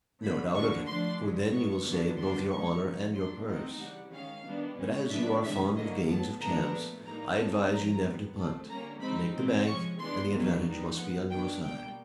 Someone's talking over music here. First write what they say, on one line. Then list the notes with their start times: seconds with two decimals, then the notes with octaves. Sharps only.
"No doubt of it, for then you will save both your honour and your purse. But, as you are fond of games of chance, I advise you never to punt. Make the bank, and the advantage must be on your side."
0.22 D3 G3 B3 B5
0.54 D3 G3 A#3 D4 C#6
0.87 F3 A3 D4 C6
1.20 C#3 E3 G#3
1.53 B2 G#3 B3 C#6
1.85 D3 F#3 B3 D4
2.18 D3 G3 B3 D4 C6
2.50 F3 G#3 C#4 C#6
2.83 D3 F3 A#3 C#4
3.15 A#2 F#3 A#3 D4 C6
3.48 E3 A3 C4 D#4 F#5
3.80 C#3 E3 G3 F#5
4.13 D#3 G#3 C#4 F5
4.45 D#3 G3 B3 D4
4.78 B2 G#3 C#4
5.10 C#3 F#3 B3 D4 E5
5.43 C3 D#3 G#3 E5
5.76 D3 F#3 A#3 D#5
6.08 A2 F#3 B3 A5
6.41 D3 F3 G#3 B3 D4 A#5
6.73 A#2 F3 A3
7.05 A2 E3 G3 A#3 D#4 A#5
7.38 E3 G#3 C4 D#4 A5
7.71 A#2 F3 G#3 C#4 A#5
8.04 D#3 G#3 B3
8.36 A#2 F#3 A3 C4 A5
8.69 D3 G3 A#3 C#4 A#5
9.01 C#3 F3 G#3 C4 D#4 B5
9.34 C3 E3 G#3 C4
9.66 C3 F3 G#3 C#4 C#6
9.99 E3 G#3 B3 D4 C6
10.32 B2 F#3 A#3 C#4
10.64 A#2 G3 B3 D#4
10.96 F3 G#3 B3 F#5
11.29 D#3 F#3 B3 D4 G5
11.61 B2 G3 A#3 G5